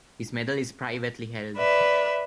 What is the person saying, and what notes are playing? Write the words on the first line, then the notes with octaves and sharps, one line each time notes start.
His medal is privately held.
B4 D5 E5